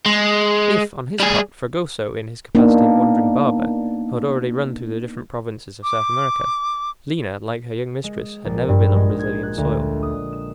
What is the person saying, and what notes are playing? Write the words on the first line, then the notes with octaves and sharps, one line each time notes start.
If, on his part, Fragoso, in his capacity of wandering barber, had already run through the different provinces of South America, Lina, like her young mistress, had never been on Brazilian soil.
G#3
G3 G#4
A#3 B3 D4 D#4
D6
G#3
A#1
G2
G#3
G#6
F#6
D2
D#6
E7